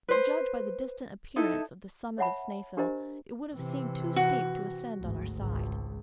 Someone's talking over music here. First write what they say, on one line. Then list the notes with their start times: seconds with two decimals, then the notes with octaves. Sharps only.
To judge by the distant appearance of the summit of Snaefell, it would have seemed too steep to ascend on our side.
0.08 B4 C5
1.36 D#4 E4 A4
2.18 C#5 E5 F#5 A5 B5
2.77 D4 G4 A#4 C5 D#5 A#5
3.53 C3 E3
4.16 F#4
5.00 G#1 D2
5.36 G#1 C#2